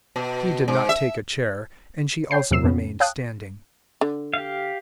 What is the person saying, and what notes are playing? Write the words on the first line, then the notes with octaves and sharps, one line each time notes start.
He did not take a chair, and she also remained standing.
B2
G#2
E5
C#5 G5 G6 C7
E2 C3 F#3 E6 C7 E7
F2 C#3 B3 C#4
C#5 F5 G5 A5 D#6 F#6
D3
G4 F5